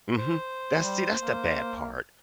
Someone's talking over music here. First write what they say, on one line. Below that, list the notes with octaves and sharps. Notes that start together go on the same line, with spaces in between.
Mhm, that's see, that's the bad part.
C5
G3
A#3